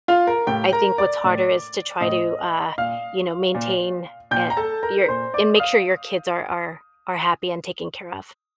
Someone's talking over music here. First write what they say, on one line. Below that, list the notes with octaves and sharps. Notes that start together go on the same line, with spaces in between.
I think what's harder is to try to, uh, you know, maintain, eh, your and make sure your kids are are are happy and taken care of.
F4 F5
A#4
A2 G4 G5
A#4 A#5
D5 D6
A2
A2 D#5 D#6
A#2 F5 F6
A#2
A#2 G5 G6
A#5
A4 A5
A#4 A#5
A#2 C5 C6
D5 D6
D#6
F5 F6